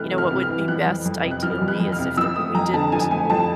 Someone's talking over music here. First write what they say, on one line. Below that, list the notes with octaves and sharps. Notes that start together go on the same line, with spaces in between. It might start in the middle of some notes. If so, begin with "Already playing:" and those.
you know, what would be best ideally is if that we didn't,
Already playing: C3 E3 A3 F6 F#6
C3
F6
C3
F6
E3
F3 F#6
F2
F2
C3
F#6
F3 F6
F2
F#6
F2
F6
C3
F3 E6
A3 D#6
F2 A#5
D3 A5
F3 G#5
A3 G#5
F2 A5